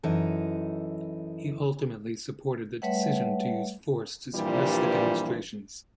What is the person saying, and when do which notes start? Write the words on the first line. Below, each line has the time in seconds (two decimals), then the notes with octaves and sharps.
He ultimately supported the decision to use force to suppress the demonstrations.
0.03 F#2 E3 D#4 A4
2.82 G3 A3 B4 C#5 E5 F#5
4.34 G2 A#2 E3 F3 G3